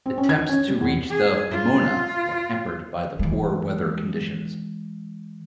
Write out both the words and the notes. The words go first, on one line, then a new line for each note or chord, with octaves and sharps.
Attempts to reach the "Pomona" were hampered by the poor weather conditions.
C4
C#4
G#6
C#4
G3
E2
G#4
F4
E3 G#3